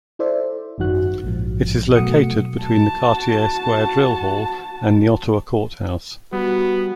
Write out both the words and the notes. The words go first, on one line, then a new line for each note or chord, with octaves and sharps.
It is located between the Cartier Square Drill Hall and the Ottawa Court House.
E4 A4 C5 D5 E5
G#1 F#2 D#3 F#4 F#6
A#1 G#2 F3
B2 F#3 A3 F#5 D#6 C#7
F#4 A5
G3 B3 F#4